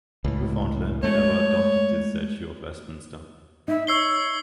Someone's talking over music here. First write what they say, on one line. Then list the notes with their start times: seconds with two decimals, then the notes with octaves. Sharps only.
Newfoundland never adopted the Statute of Westminster.
0.24 C#2 A2
1.03 G#3 A3 C#5
3.68 D#4 E5
3.87 C#5 E6 C7 G7